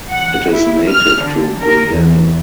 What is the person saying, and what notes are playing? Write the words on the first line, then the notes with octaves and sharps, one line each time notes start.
It is native to Guyana.
F#5
E4
F6
D3
A#4
E2